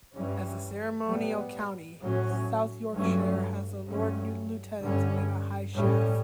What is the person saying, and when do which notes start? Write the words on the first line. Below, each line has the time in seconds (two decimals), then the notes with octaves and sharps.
As a ceremonial county, South Yorkshire has a Lord Lieutenant and a High Sheriff.
0.13 G2 E3 G3 C#4
1.06 A2 G3 B3
2.00 A2 F#3 C#4
2.92 G2 F#3 A3 C#4
3.86 G2 F#3 A3 C#4
4.79 G2 D3 G3 C#4
5.73 A2 G3 C#4